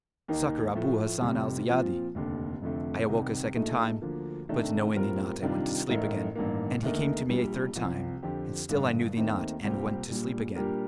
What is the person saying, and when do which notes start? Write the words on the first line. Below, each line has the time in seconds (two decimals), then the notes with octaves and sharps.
Succour Abu Hassan al-Ziyadi.' I awoke a second time, but knowing thee not I went to sleep again; and he came to me a third time and still I knew thee not and went to sleep again.
0.28 D#2 D#3 A#3 D#4
0.75 A2 F3 A3
1.22 F1 F2 C3 G3
1.68 A#2 F3 C4 F4
2.15 F1 D#2 D3
2.62 F1 F2 D3 A3
3.08 C2 C3 D#3
3.55 A#1 A#2 A3 D#4 A4
4.02 D2 D3 F3 A#3
4.49 C3 D#3 A3 D4 A4
4.95 A2 G3 C4 F4 A#4
5.42 C3 D#3 G3 D4 F4
5.89 A1 A2 A3 D#4 A#4
6.36 A1 G2 D#3 A#3
6.82 D#2 D3 A3 D#4 A#4
7.29 A#1 A#2 G3
7.76 C2 C3 F3
8.23 F2 D3 F3 C4 G4
8.69 A1 G2 D3
9.16 D#2 D#3 A3 C4
9.62 C2 A#2 G3 C4 G4
10.09 A#1 A#2 G3
10.56 A#2 G3 D4 G4 A#4